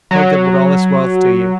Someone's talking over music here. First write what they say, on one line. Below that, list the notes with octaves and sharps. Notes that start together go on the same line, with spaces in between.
What good would all this wealth do you?
F#3